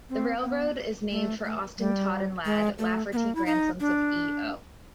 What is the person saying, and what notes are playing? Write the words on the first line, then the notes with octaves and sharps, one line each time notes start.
The railroad is named for Austin, Todd and Ladd Lafferty, grandsons of E. O.
C4
C4
B3
A3
A3
G3
G#3
A3
B3
A#3
E4
D#4
D4